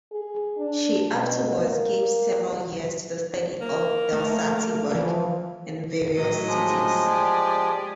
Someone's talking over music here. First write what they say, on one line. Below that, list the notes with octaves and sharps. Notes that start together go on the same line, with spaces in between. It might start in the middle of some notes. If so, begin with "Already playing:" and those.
She afterwards gave several years to the study of Delsarte work in various cities.
G#4
D4
B2
A#3
A#3
A3
E3 F3
A2 F#3 D#5
F3 G#3
G4 G#4 D5